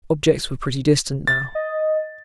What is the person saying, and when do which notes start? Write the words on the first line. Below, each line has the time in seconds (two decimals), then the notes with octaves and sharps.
Objects were pretty distinct now.
1.27 A6
1.55 D#5